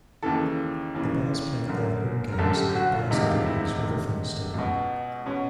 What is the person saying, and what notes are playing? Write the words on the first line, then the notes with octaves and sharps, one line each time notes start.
The Bears played their home games at Bears and Eagles Riverfront Stadium.
D#2 C#3 E3 A4
D#2 C#3 E3
G1 F#2 D3 A#4
A#4
G1 F#2 D3 A4
G4
F#4
F4
E1 D2 C3 D#3 D#4
F4
E4
D#4
E1 D2 C3 D#3 D#4
C#2 B2
B2 C#4